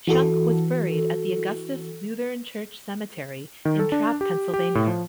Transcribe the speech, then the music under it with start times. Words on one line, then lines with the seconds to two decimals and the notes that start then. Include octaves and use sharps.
Shunk was buried at Augustus Lutheran Church Cemetery in Trappe, Pennsylvania.
0.07 E3 F#4 A4
3.65 D#3
3.79 A4
3.92 D4
4.21 G4
4.54 G4
4.75 A2
4.87 F3